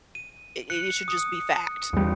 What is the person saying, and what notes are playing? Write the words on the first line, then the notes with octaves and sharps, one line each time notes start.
i i it should just be fact,
D#7
F#6 C#7
D#6
E2 G3